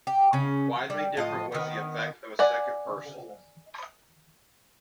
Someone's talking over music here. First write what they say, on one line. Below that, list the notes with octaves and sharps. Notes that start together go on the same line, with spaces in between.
Widely different was the effect of a second perusal.
G4
C#3 C#4
G3
A2 F4 D#5
D#3 B3
D5 F#5 G#5